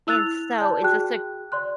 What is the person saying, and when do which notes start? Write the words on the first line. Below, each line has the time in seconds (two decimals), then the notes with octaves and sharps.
and so is this a c
0.07 E4 E6 F#6 A6 F7
0.61 D5 A5 G6
0.82 F#4 G#4 G5 F#6
1.52 D5 C6 F#6